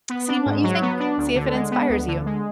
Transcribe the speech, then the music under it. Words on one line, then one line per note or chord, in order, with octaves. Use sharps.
seeing what you think. See if it inspires you.
B3
D4
G#2
F#3
B3
D4
D2
D3
G#3
B3
D2
D3
G#3